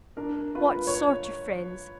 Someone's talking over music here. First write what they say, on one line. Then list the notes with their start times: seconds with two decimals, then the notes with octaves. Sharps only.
What sort of friends?
0.17 D4 A#4
0.55 F4 B4
0.87 C#5